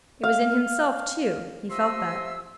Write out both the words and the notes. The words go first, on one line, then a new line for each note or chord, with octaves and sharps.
It was in himself too, he felt that.
F5
C3 F3 D#5 E5 C6 E6